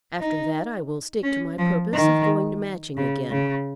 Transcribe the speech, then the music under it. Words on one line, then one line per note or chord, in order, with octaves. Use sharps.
After that I will stick to my purpose of going to Matching again.
D#4
C#4
F3
D#3
C#3
C#3